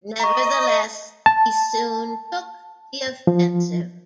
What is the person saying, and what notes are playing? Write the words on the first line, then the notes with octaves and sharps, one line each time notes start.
Nevertheless, he soon took the offensive.
D#5 A#5 C#6
A5
F3